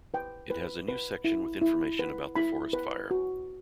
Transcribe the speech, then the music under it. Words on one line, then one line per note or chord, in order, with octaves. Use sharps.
It has a new section with information about the forest fire.
B4 G5
B4
B4
E4
E4
B4
E4 B5
B4
F#4